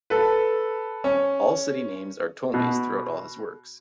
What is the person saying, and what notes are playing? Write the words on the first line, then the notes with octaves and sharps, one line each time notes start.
All city names are Ptolemy's, throughout all his works.
A4 B4
C#4
B2